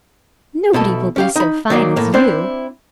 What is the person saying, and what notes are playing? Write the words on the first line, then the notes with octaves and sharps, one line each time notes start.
Nobody will be so fine as you.'
B1 B2 E4 A4
C#4 G4 F5
D#4 B5
D#3 F#3 A#3 D5
A2 A#3
C4 D4 E4 C5 D5